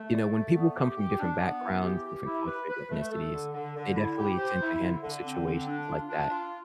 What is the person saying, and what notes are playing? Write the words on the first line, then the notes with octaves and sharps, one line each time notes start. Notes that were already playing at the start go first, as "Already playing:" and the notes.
you know, when people come from different backgrounds, different cultures, ethnicities, they definitely tend to handle situations like that
Already playing: A3
D5
A3
B3
G4
G4
D4
B3
E3
G4
G4
E4
B4
B4
A3
A4
D3
D3
D3
E4
G4
C5
E4
D3
D3
C4
D3
D4
F4
D4
F4